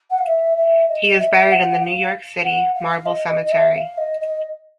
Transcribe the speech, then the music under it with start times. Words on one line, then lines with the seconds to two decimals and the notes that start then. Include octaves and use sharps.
He is buried in the New York City Marble Cemetery.
0.10 F#5
0.18 F5
0.27 E5
0.57 E5
0.89 D#5
1.19 E5
1.50 F#5
1.82 F5
2.44 F#5
2.74 F5
3.06 D#5
3.29 D#5
3.45 D#5
3.52 E5
3.74 F5
3.98 D#5
4.21 D#5